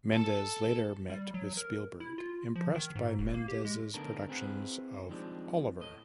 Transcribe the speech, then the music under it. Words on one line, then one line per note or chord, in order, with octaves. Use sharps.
Mendes later met with Spielberg; impressed by Mendes' productions of Oliver!
A4 A5
G3
F#3
A#4
E4
F4
F3
D#3
G#2
E1
A#3
G4
G#3
D3 A3 B3 D#4 A4 A#4
C4 E4 G#4 A#4 B4 F#5
D#3 F3 G3 G#3 C4 D4
A2 D#5